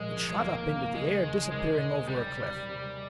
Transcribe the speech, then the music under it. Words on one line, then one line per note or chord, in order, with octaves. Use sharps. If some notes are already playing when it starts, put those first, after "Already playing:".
It shot up into the air, disappearing over a cliff.
Already playing: A#2 F3 G#3
C2
G#3
D#2 A#3
C#3
C#3 G#3
D#2
C3 G#3
C3
C3 G3
C3
C3
G#3